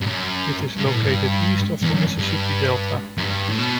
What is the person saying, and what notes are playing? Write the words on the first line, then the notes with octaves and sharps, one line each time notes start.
It is located east of the Mississippi Delta.
G2
F#2
G2
B2
A2
G2
E2
F#2
G2
F#2
G2
A2
B2